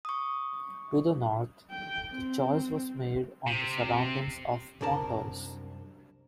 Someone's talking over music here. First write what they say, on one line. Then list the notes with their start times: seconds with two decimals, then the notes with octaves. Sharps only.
To the north, the choice was made on the surroundings of Pontoise.
0.05 C#6 D#6
1.71 G5
2.11 C4
3.46 C3
4.81 C2 F#2 D4 A#4 A5